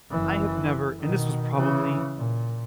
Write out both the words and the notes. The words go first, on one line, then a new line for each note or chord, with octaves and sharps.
I have never, and this was probably
F#1 E3
B2 D#3
C#3 E3
A#2